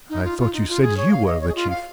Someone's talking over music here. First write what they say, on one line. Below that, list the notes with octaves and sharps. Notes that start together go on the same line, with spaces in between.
"I thought you said you were the chief?"
D#4
F4
F4
D#4
F4
G#4
C#5
F5
D#5
C#5
G#4
F4
F5